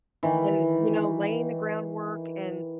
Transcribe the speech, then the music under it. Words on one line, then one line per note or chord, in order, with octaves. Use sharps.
And, you know, laying the groundwork, and
D#3 E3